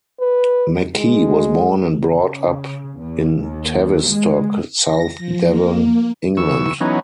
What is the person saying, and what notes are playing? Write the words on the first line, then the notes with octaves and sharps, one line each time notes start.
McKee was born and brought up in Tavistock, South Devon, England.
B4
G#3
C#3
E2
D#2
G#3
A#6
F3
A#3
E2 C#6 E6
E3 F#3 B3 C#4 D#4